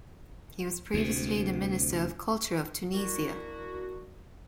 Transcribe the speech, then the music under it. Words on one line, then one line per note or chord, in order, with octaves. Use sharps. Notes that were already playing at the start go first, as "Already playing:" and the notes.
He was previously the minister of culture of Tunisia.
D2 C3
A#3 D4 E4 F#4